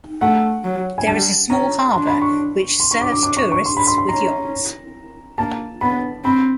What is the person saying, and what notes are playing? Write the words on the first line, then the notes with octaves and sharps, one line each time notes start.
There is a small harbour which serves tourists with yachts.
A3 F#5
F#3
G#5
G3 A5
C#4 A#5
D4 C6
B5
C#6
C6
C#6
D6
D6
D4 D6
C#6
C#6
C6
B5
C6
C6
C#4 A#5
A#3 A5
B3 B5
C4 B5